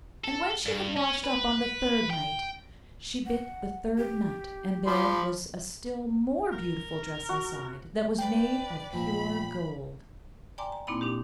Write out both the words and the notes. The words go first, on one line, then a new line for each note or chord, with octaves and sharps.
And when she had washed up on the third night she bit the third nut, and there was a still more beautiful dress inside that was made of pure gold.
A4
G2
C#4
B4
G5
F#5
G4
F3 B5 C6 D6
A#4
F#4
B4 D5 G5
A#2 F3 B5
D5 G5 G#5 A#5 C6 D6
A#5
A#2 A#3 C4 D#4 E4 B5
A#2 D4 D#4 G4